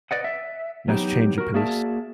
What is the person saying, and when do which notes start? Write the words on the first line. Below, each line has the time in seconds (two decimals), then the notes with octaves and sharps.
Nice change of pace.
0.11 B4 D5 D#5 F#5
0.24 E5
0.88 F#3 B3 D#4 G4
1.38 F#4 A#4
1.54 A#3 F#4 G#4 D5 E5 A5